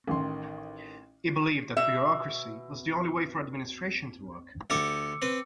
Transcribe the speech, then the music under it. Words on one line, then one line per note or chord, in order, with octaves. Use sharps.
He believed that bureaucracy was the only way for administration to work.
A1 D#3 C6
B2 E5
D2 G4 A4 D6 E6 C#7
C4 B4